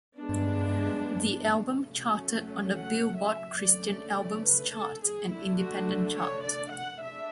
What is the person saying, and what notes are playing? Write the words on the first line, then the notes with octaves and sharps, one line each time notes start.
The album charted on the "Billboard" Christian Albums chart and Independent chart.
G#3 B3 D4
F#3 A3 C#4
F#5
E5
D3 A3 C#4 D5
D5
D5
B4
A4
G#4
D3 A3 D4 E4
F#4
C#5
D5
F#5
G#3 D4 E5